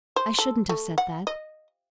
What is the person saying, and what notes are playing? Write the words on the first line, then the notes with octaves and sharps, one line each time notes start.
I shouldn't have said that.
C5
A4
A3
F#5
D#5